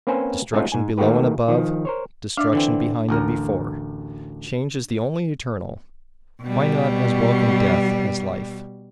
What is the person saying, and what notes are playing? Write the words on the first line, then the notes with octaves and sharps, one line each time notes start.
Destruction below and above, destruction behind and before. Change is the only Eternal,--why not as welcome Death as Life?
A#3 C4 C#4 B4 C5 G#5
G#3 A3 C4 C#4 D#4 F4
G#2 G#5
D#3 A3 A#3 F#4 G4 B4
D#3 F3
A#4 C5 C#5
D4 D5 E5 F5
D3 E3 C4
A1 D2 A#4
B2 G3